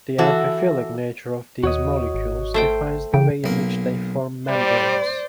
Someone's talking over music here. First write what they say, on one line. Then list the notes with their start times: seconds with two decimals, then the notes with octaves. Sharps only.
The amphiphilic nature of these molecules defines the way in which they form membranes.
0.18 E3 F#4 A4 E5
1.64 D#2 F#4 C#5 D#5
2.15 G#1
2.54 A3 C5 G5
3.14 C#3 E3 G5
3.44 B1 A#3
4.48 G3 C5 D5